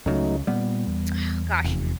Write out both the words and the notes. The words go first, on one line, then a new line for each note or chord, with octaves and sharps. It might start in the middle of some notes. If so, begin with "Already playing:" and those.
ugh, gosh,
C#2 C#3 F#3 A3 D#4
A#2 G3 B3
E2
F1